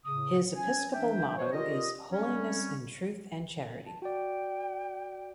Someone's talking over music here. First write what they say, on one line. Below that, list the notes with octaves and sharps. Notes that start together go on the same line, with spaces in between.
His episcopal motto is "Holiness in Truth and Charity".
A2 C#3 D#6
F#3 C#4 G#5
E3 D4 E5 G5
C5 C#5
F4 G4 A#4 D5 D#5
G3 C4 C#4
A5
F#4 D5 G5